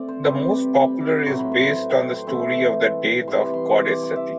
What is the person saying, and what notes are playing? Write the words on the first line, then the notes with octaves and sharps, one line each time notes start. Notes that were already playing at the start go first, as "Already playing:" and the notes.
The most popular is based on the story of the death of goddess Sati.
Already playing: A3 C4 D5
C5
C3 G3 C4 B4
D5
B5
D6
A2 F#3 C4 E4 C6
B5
C5
B4
C5
G5
C6
C6
E3 A3 C4 E4
C3 E3 G3 C6
B5
C6
C6
D6
D6
D6
E5